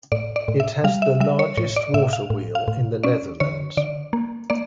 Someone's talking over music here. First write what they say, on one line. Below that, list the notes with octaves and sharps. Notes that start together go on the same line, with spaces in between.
It has the largest water wheel in the Netherlands.
A2 D5
D5
A2
E5
G3 F5
E5
G3 E5
C#5
A2 C#5
D5
A2 E5
F5
A2
F5
A2
C#4 D5
D3 C#5
D3 D5
A#3
A#3 D5